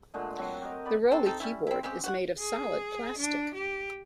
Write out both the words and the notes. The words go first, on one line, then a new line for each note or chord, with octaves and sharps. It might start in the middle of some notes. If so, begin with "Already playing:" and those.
The Rolly keyboard is made of solid plastic.
A#2 D3 G#3 A3
F#3 C4 F#5 C6
G4 A#4 D#5
B3 D5 B5
C4 F#4 A4
C4 D#4 A4
G3 C#4 E4
C4 E4
C#3 G#3 C4 G4
F#4 C5 F#5
G#4
D4
G4